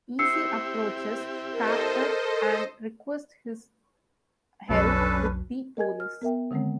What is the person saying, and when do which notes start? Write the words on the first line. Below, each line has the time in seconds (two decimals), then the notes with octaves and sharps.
Easy approaches Carter and requests his help with the police.
0.19 C4 E4 G4 E6 C7 C#7
1.53 A4 A#4 C5 D#5
4.69 B1 F2 F#3 C#4 D4 A4 B4
5.77 A#4 D#5 G#5 G#6
6.00 F6
6.22 B3 A#4 E5 G5
6.51 D3 D#3 G#3 A#3 C4